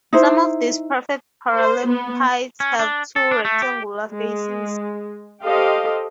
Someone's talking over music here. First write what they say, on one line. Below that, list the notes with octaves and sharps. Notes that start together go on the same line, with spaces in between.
Some of these perfect parallelepipeds have two rectangular faces.
D#4 E4 C5
C5
B3
C#4
D4
A4
D4
A3
G4
G#3
G4 A4 C5 D#5 F5 G5